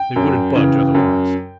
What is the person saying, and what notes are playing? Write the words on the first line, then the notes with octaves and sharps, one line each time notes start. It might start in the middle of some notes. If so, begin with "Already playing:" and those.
They wouldn't budge otherwise.
Already playing: G5
F#2
C#3 E3
F#2